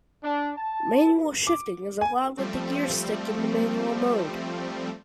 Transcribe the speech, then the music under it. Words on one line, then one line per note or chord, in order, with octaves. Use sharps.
Manual shifting is allowed with the gear stick in the manual mode.
D4
A5
D6
G#5
F3 G3 A3 C4